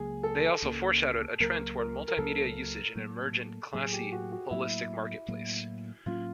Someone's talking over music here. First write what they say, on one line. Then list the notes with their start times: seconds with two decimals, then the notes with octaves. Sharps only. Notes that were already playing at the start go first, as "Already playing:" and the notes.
They also foreshadowed a trend toward multi-media usage in an emergent, classy, holistic marketplace.
Already playing: C#2 C#3 F#3 A#3 G#4
0.23 A4
0.62 C#2 C#3 F#3 A#3
1.40 C#2 C#3 F#3 A#3 A#4
1.79 A#4
2.08 A#4
2.17 C#2 C#3 F#3 A#3 A4
2.95 A2 F#3 A#3
3.73 A2 F#3 A#3 G#4
3.92 G4
4.12 F#4
4.32 F#4
4.51 A2 F#3 A#3 E4
5.28 A2 F#3 A#3
6.06 A2 F#3 A#3 C#4 F4